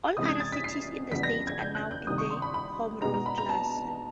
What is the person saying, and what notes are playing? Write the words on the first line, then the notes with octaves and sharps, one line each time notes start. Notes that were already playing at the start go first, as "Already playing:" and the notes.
All other cities in the state are now in the home rule class.
C3 E3 G#3 C#4 D#6
G#6
A6
B6
C7
F2 C#3 E3 G3 B3 B6
A#6
G#6
G6
F#6
G6
C2 C3 D#3 D#6
C#6
C6
B5
B5
B2 G#3 B3 D#4 A#5
A#5
B5
A#5
A5